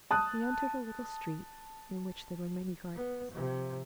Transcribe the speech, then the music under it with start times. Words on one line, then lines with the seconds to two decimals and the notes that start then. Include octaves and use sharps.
He entered a little street in which there were many gardens.
0.11 A5 D#6 F#6
2.95 B3
3.31 C3 F3